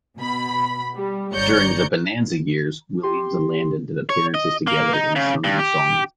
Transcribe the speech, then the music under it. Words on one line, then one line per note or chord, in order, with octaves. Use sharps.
During the "Bonanza" years, Williams and Landon did appearances together in some installments.
B2 B5
G3
G1 C#5 D5 A#5 G6 C#7
G4 C6
C#5
D#5
A#3
D#4
C#3
G2
G4